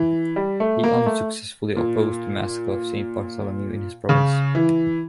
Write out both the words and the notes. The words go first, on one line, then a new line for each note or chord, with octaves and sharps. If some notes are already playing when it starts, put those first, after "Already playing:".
He unsuccessfully opposed the massacre of Saint Bartholomew in his province.
Already playing: E3
G3
A3
A#3
A3
A#2
C#3
E3